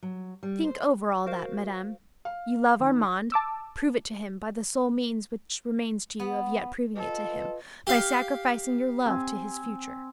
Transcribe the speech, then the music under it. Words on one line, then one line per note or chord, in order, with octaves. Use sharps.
Think over all that, madame. You love Armand; prove it to him by the sole means which remains to you of yet proving it to him, by sacrificing your love to his future.
F#3
G3
C5
F#4 A#4 C5 F5
F5
D#3
A5 D6 E6
B3
F4 A4 B4 D#5
G4 F5
C4 G#5